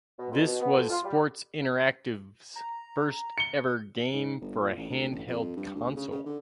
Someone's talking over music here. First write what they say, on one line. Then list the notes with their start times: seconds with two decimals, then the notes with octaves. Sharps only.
This was Sports Interactive's first ever game for a handheld console.
0.18 B2
0.31 F2
0.45 B2
0.61 B3
0.76 F2
0.90 F4
1.04 G3
2.56 A#5
3.38 C#7 G7
4.14 G#2
4.42 G1
4.61 A#2
4.77 A1
4.90 D2
5.11 A1
5.28 F2
5.57 G2
5.75 D2
5.97 C#3
6.12 C#3
6.26 D3